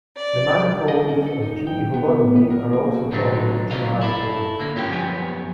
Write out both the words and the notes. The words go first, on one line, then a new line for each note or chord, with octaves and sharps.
The manifolds of G holonomy are also called G-manifolds.
D5
D#5
C#4
A4
D#4
G5
B3
B3
A#4
A#3
F#4
A2 D#3 F#3 A3 D4 D#4
C#2 F#3 F4 D#5 F5
E4 A4
D3 A#3
G2 C#4 F4 G4 G#4 G5
F#2 F3 B3 G4 G#5